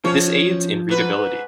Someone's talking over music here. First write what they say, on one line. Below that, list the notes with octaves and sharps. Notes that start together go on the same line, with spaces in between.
This aids in readability.
F3 C#4 C#5
G#2 B4